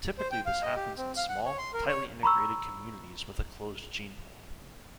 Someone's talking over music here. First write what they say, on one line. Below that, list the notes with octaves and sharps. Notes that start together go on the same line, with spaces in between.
Typically this happens in small, tightly integrated communities with a closed gene pool.
C5
G5
F5
D#5
G4
C4
F5
F#5
C#5
C6
A#4
C#5
A#5 B5 C#6 E6